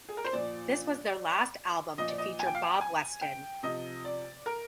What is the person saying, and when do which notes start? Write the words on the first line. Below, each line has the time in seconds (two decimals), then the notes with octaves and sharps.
This was their last album to feature Bob Weston.
0.09 G#4
0.17 A#4
0.24 C5
0.32 A#2 F3 D5
1.98 A#2 F3 D#5
2.08 D5
2.18 D#5
2.39 G#5
2.46 G5
2.55 F5
2.62 G5
2.81 G#5
3.21 G5
3.63 C3 F3 D#5
4.05 D5
4.46 A#4